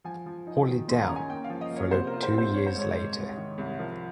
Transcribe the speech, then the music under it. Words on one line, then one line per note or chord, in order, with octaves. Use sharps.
"Hold It Down" followed two years later.
F3 G#5
F3
D#4
D#3
D#2 C6
A#5
C#4
G#5
A#3 G5
F5
F3
D#5
A#3 C#5
C3 C5
A#4
F4
C5
C4
C5
C4 C#5
C5
G#2 C#5
G#2
C2
D#3
C2
F3 A#4